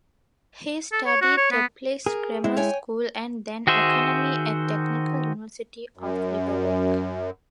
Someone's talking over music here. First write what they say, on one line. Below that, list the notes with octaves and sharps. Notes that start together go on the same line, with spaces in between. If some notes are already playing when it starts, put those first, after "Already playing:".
He studied Teplice Grammar School and then Economy at Technical University of Liberec.
A4
C#5
F#4
C#5
B3
G#4 A#4
G#3 C4 E4
C#5 G5 G#5
D#3 F#4 G#4 C5 E5
F#2